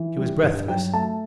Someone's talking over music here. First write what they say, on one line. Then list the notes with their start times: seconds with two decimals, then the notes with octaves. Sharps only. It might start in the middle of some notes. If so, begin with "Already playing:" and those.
She was breathless.
Already playing: E3
0.18 G3
0.43 G2
0.68 F#3 G5
0.93 A3 A5